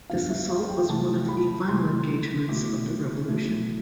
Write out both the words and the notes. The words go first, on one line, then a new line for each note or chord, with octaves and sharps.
This assault was one of the final engagements of the Revolution.
G2 D3 F3 B3 F4 F5
E5
F5
G5
C3 E3 A3 E4 A5
B5
C3 E3 A3 E4 C6
B2 A3 E4 D6
B2 A3 E4